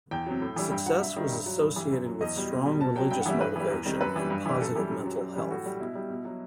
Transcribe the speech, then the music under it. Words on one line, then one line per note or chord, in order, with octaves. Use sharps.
Success was associated with strong religious motivation and positive mental health.
E2 G5
C3 F#3
A2
E3 G3
G2 G5
F#3 F#5
G2 E5
D#3 G3
G2
F#3
G2
E3 G3
F#2
F#3
E2 D#5
B2 G3
B2
G3
B2 A5
F#3 G5
G2 G5
F#5
E3 G3 E5
G2 B4
E3 G3
E2
C3 D#3 G3
F#2 B4
E3 G3
G2
E3 G3
F#2 A4
E3 G3 G4
F#2
F#3
F#2
E3 G3
A2 F#4
G3
B2 E4
G3
B2
F#3